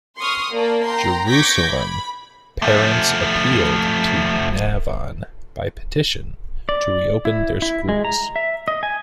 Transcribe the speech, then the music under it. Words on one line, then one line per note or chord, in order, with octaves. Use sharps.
Jerusalem parents appealed to Navon by petition, to reopen their schools.
C6 C#6 D#6 F6
A#3 D5 A5
G5 A#5 C6
C#6 D6 G6 G#6 A#6 B6
B5
F3 A3
D5
E4
E4
G#3
A#5
E5
D#5
G#5